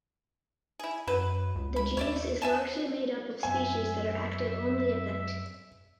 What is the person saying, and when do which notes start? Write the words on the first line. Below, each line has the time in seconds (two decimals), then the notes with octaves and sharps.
The genus is largely made up of species that are active only at night.
0.79 E4 G#4
1.07 F#2 F#3 B4
1.55 C#2
1.76 B5
1.97 D#2 C#5 D5 E5
2.42 E5 G#5 A5
3.43 F#2 C5 E5 G#5